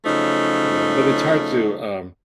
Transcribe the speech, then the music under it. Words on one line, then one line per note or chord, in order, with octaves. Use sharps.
you know, but it's hard to, um,
C#3 F3 F#3 A3 D#4